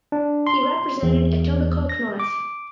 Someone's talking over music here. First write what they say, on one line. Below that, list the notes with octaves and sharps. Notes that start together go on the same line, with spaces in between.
He represented Etobicoke North.
D4
C6
E2
A#6
D6